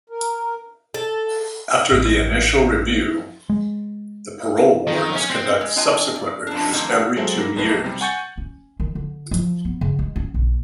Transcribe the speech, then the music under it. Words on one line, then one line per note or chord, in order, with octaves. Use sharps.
After the initial review, the Parole Board must conduct subsequent reviews every two years.
A#4
A4
A1
G#3
D#3
C#4
C4
G#3
D4 F4 C#5 D#5 G5 G#5
D5
D4 A5
D#3 F3 G3 A3 A#3 C4
A#2 C#3 D4 F#4
F#3 G#3 A4 C5 E5
G3 A#3 A#6
B1 F2 A#3 B4 C7
C3 G3
F#5 G#5 C#6 G6 A6 C#7
C#4
D#3
D3
F3
B3
C#3
G#3
C#4
A#1